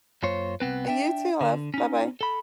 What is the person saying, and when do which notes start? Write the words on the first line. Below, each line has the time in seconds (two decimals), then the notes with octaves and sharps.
You too, love. Bye-bye.
0.23 F#2 A#3 F4 C5 C#5
0.60 C2 B3 C4 B4
0.88 D4 E5 G5
1.41 D3
1.74 C#4 D#4
2.21 A4 B5